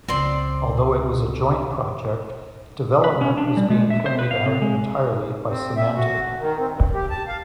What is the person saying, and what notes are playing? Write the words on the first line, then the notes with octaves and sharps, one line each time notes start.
Although it was a joint project, development was being carried out entirely by Symantec.
C#2 C4 D5 C6
B4
C#4
D4
G3
G#3
E5
C5
B4
F5
C3
G#3
C4
E5
F#4
D2
D#3
C4
G2
G4
A5
F5